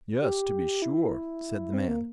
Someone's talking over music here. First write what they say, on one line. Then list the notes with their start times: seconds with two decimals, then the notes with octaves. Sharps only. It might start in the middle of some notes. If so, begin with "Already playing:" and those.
'Yes, to be sure', said the man.
0.22 G4
0.82 E4
1.74 C4
1.88 A#3